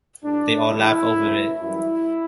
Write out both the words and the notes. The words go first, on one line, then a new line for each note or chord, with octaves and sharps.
They all laugh over it.
A2 G3 D4
E2 B2 G3 E4
F#2 D3 F#3 A3
F#2 E3 G3 E4